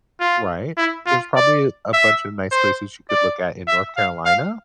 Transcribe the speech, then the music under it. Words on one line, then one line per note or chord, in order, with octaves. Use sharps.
Right. There's probably a a bunch of nice places you could look at in North Carolina?
F4
E4
F4
D5
E5
C5
D5
E5
F5
F5